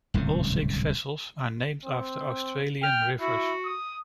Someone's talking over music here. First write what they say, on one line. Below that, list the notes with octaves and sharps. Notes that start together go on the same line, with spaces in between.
All six vessels are named after Australian rivers.
D1 C2 G#2 C#3
C4
G5 F6
E4 F#4
D#6